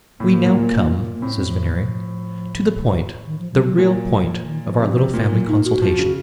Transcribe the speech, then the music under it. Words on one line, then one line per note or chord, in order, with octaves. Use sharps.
'We now come,' says Veneering, 'to the point, the real point, of our little family consultation.
A2 A#3
A2
A#2
A#2
A#3
A2 C4
C4
F3
D#3
F3
D#3
F3
F#3
F#3
A#2 F#3
D#3
F3
D#3
F3
C3
C3
A#2
F#3
D#4
F#4
F3
C#3